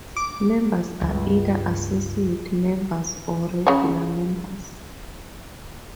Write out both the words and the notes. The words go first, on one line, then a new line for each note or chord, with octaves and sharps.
Members are either associate members or regular members.
D6
C#2 G2
C#3 C#5